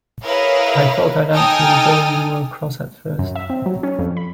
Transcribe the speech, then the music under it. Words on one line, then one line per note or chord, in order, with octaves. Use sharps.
I thought I liked you, though you were cross at first.
E4 G#4 A#4 B4 C#5 F5
D#4 A4 G5 G#5 D#6 F6
F#2
E5
C4
F#3
C#4
F2
B5